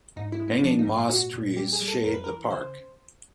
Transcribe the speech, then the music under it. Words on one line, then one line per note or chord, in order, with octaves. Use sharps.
Hanging moss trees shade the park.
G#2 D#4
E4
G#3
E4
F3 D4
D#4
G#2
F4
A#2 F#4
A#2
G3 G4
G#4
G3
A4
F2 A#4
B4
E3 A#4
C#3 C5